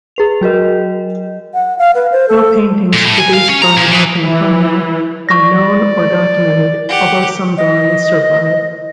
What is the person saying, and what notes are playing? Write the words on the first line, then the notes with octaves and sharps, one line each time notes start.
No paintings produced by Marcantonio are known or documented, although some drawings survive.
G#4 B4 F7
F#3 F#4 A#4 D#5
F#5
F5
B4
C5
A4
A#2
A2
G#5
F5
C#4
A#5
A#2
E3
E3
D5 C#6 A#6
G4 F#5
D#5